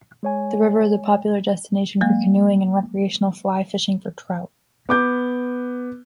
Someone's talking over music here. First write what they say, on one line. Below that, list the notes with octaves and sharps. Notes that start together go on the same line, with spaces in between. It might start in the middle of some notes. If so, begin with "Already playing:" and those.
The river is a popular destination for canoeing and recreational fly fishing for trout.
G#3 C#5 G#5
F#3 G#3 A#3
B3 D6 G6